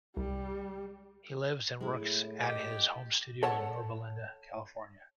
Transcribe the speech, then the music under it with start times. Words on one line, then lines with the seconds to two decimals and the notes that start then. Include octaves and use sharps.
He lives and works at his home studio in Yorba Linda, California.
0.17 C2 G3
1.80 A2 G#3 E4
2.42 G4 D#5
3.43 A4 C#5 F#5 A5